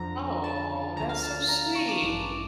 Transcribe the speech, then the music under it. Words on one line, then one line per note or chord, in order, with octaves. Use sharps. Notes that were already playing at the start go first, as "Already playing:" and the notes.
Oh, that's so sweet!
Already playing: F2 D3 F3 A#5
A5
D2 D3 F3 A#5
F5
A5
A#5
A#5
C#6
D6
A1 G2 E3